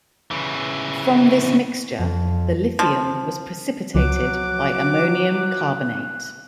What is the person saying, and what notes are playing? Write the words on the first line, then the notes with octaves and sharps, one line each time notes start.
From this mixture, the lithium was precipitated by ammonium carbonate.
C#3 E3
F2
F3
C#2 F3 F#3 D6 F#6